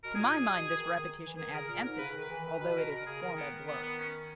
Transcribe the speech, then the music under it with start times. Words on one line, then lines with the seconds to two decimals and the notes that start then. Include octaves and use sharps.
To my mind this repetition adds emphasis, although it is a formal blur.
0.03 B2 A#4
0.15 A#2 G#4
0.45 B2
0.70 E3
0.75 D#3
0.96 D#3
1.26 E3
1.37 D#3 G#4
1.53 C#3 A#4
1.68 A#2 A#4
1.83 G#2 A#4
1.98 C#3 B4
2.08 C#3
2.14 D#3
2.21 B4
2.30 E3
2.45 D#3
2.60 B2 B4
2.75 B2 A#4
2.91 B2 A#4
3.06 C#3 G#4
3.22 D#3 A#4
3.37 B3
3.67 B3
3.83 B3
3.98 C#4